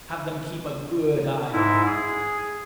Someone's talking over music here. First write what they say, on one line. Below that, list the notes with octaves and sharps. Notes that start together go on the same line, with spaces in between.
Have them keep a good eye on him.
G#2 E4
G#4